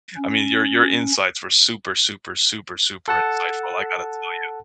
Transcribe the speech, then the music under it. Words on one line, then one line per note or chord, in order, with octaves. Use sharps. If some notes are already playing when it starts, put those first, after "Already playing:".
I mean, your your insights were super, super, super, super insightful, I gotta tell you.
C#4
A4 F#5 A5